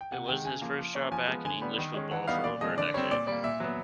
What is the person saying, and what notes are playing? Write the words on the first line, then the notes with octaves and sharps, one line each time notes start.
It was his first job back in English football for over a decade.
G5
C3 F#5
D#3 G#3 G5
C#3 G#5
F3 A#3
F3
A#3 C#4
F3 G#5
G#3 B3
D3 G#5
G3 B3
D#3
G#3 C#4
E3 F#5
G3 B3 D#4 F5
A#2 D5
F3 G#3 C4 D#5
D3 D5
G3 C4 C#5
A#2 D5
G3 A#3 D5
A#2 E5
F#3 B3